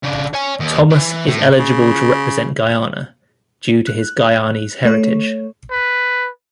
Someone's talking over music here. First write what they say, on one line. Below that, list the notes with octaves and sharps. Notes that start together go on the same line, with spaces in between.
Thomas is eligible to represent Guyana due to his Guyanese heritage.
C#3 D4
C#5 G#5
D#2
E3
A2
C#3
F#6
A3 C#5
B4